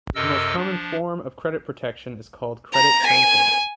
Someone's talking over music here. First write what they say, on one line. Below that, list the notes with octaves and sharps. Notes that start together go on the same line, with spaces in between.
The most common form of credit protection is called credit tranching.
F#2 C3 A4 A#4 D#5 E6
F3 D4
A#5
G#5